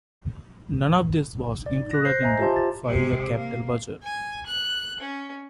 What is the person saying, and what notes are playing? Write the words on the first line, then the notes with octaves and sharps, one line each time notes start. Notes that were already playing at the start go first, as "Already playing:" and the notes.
None of this was included in the five-year capital budget.
D5
F#6 A#6
C5 G6 A#6 C7
D#5 E5 G#5 A#5
F4 G4 C5 E5 A5 C6
F4 A6
C3 G#3
A#3
G#5
F#6
C#4